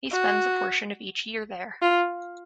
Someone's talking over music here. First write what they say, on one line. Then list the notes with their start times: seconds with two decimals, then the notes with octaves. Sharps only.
He spends a portion of each year there.
0.12 F#4
1.82 F4